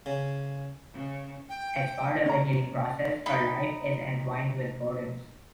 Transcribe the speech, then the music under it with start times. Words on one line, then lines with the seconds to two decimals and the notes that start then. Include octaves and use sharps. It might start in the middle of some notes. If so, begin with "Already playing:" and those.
As part of the healing process, her life is entwined with Gordon's.
0.06 C#3
0.93 C#3
1.49 G5
2.26 C#4 A#5
3.26 D#4 B5